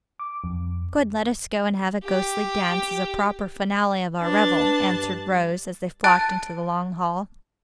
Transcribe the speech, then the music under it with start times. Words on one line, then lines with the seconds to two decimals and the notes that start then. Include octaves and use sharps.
"Good, let us go and have a ghostly dance, as a proper finale of our revel," answered Rose as they flocked into the long hall.
0.19 D6
0.44 F2
2.05 G4
4.21 D4 B4 A5
4.89 G2
6.04 A5 F#6 A6 D7